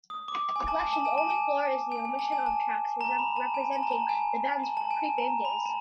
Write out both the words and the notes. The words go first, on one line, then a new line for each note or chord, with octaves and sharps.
The collection's only flaw is the omission of tracks representing the band's pre-fame days.
D#6
D6
G#5
A5
G#5
A5
G#5
A5
G#5
G#5
G#5
A5
G#5
A5
A#5
B5
A5
G#5
A5
A#5
A5
G#5
A5
A5
G#5
A5
A#5
B5
A5